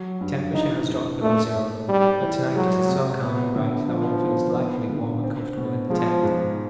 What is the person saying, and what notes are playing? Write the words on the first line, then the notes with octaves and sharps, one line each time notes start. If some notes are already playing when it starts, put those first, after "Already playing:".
The temperature has dropped below zero, but to-night it is so calm and bright that one feels delightfully warm and comfortable in the tent.
Already playing: F#3
G2
E3 D#4
F2
A3 A#3
G#2
G3 C4
E3
F#3 G#3
C3
B3
D3
F3 B3
D#3
B3
D3
C4
B2
F3 G#3
G#2